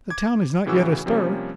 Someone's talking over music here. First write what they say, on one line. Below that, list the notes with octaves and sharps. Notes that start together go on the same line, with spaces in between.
"The town is not yet astir."
D6 G#6
A2 C#3 E3 F#4 D6 E6
C3 F3 G3 A#3 C#4